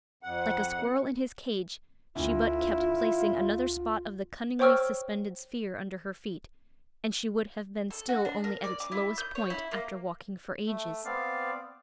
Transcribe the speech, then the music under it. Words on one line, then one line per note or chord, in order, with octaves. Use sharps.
Like a squirrel in his cage she but kept placing another spot of the cunningly suspended sphere under her feet, and she would have been still only at its lowest point after walking for ages.
F2 F#5
D2 E4 F4
C5 C#5 G5 C#6 E6 F6
A4
F#4
D4
A#4
D5
D6
E4
G6
C#5
E4
A#3
A3
B3 C4 D5 F5